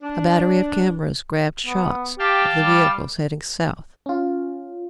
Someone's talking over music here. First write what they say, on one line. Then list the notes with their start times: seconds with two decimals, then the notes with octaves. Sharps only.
A battery of cameras grabbed shots of the vehicles heading south.
0.02 D4
1.67 B3
2.19 G4 F5 G5 A5
2.58 G3
4.06 C#4 F4